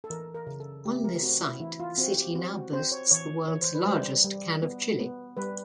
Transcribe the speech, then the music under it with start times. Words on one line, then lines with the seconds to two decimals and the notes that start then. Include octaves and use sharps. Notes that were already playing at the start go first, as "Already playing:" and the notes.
On this site the city now boasts the world's largest can of chili.
0.04 A4
0.10 E3 A#4
0.35 A#4
0.47 C#3
0.60 A4
0.85 A3 G4
1.04 A#4
1.23 C4 F#4
1.42 E4
1.60 E3 E4
1.80 F4
1.98 C4 F#4
2.17 G4
2.35 C4 F#4
2.54 F#4
2.73 C4 C5
2.92 C#5
3.11 E3 C#5
3.48 E3 C#5
3.62 C5
3.74 B4
3.86 G3 C5
4.24 G3
4.62 B3
5.00 B3
5.37 G3 B4